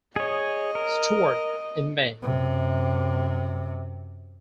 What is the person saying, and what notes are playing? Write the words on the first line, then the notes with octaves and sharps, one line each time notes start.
Stuart in May.
G#4 C#5 D#5
A#4
F#2 C3